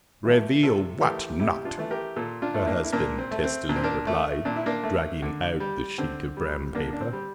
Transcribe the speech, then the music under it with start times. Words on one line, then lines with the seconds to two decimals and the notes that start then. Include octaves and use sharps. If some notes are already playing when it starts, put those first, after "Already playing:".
"Reveal what not?" her husband testily replied, dragging out the sheet of brown paper.
0.25 E3 A3
0.63 C3 F4 A4
1.01 E3 A3 G4 A#4
1.39 C3 E4 G4
1.65 D4 F4
1.78 E3 A3
1.91 G4 A#4
2.16 A#2 F4 A4
2.42 D4 F4
2.54 A3
2.63 E4
2.67 A#3 D4
2.84 E4
2.92 A#2 A#3 D4
3.18 C4
3.31 A3
3.44 C4
3.69 A#2 D4
3.76 C4
3.84 A#3 D4
4.07 A3
4.45 A#2 D4
4.56 E4
4.66 A#3 D4
4.84 A3
5.22 D3
5.60 G3
5.98 D3 C4
6.37 G3
6.75 D3 A#3 D4
6.93 D4
7.00 C4
7.13 G3